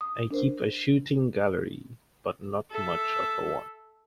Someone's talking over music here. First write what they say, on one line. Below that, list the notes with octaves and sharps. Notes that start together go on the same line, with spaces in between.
I keep a shooting gallery, but not much of a one.
D#6
D4 A#4 C5
A4 E5